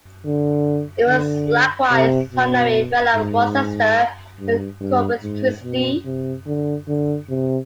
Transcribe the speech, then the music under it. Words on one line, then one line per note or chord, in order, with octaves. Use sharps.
He was likewise honorary fellow of Worcester and Corpus Christi.
D3
D3
C3
B2
G#2
G2
G2
G#2
B2
C3
D3
D3
C3